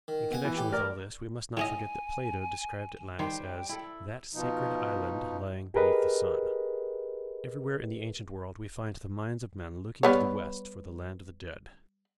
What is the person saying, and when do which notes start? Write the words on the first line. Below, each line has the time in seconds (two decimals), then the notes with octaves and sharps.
In connection with all this we must not forget that Plato described Atlantis as "that sacred island lying beneath the sun." Everywhere in the ancient world we find the minds of men looking to the west for the land of the dead.
0.08 D#3
0.31 B2 F#5 G#5
0.45 E3
0.57 A2 G4
0.72 A#4 D5
1.57 A2 C#4 D#5 G#5
3.19 D#3 G3 C5 G5
3.69 E4 A4
4.33 B2 F3 D#4
5.74 G4 G#4 A#4 B4 D#5
10.03 G3 B3 C#5